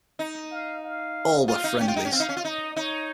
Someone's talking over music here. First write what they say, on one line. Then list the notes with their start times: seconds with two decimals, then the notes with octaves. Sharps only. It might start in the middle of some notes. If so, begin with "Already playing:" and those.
All were friendlies.
0.19 D#4
0.51 F5
0.84 F5
1.48 F4 F5
1.64 D#4
1.80 C#4 G5
1.88 F4
1.96 D#4
2.05 C#4
2.12 C4 F5
2.20 D#4
2.29 C#4
2.37 F4
2.45 D#4 D#5
2.76 D#4 C#5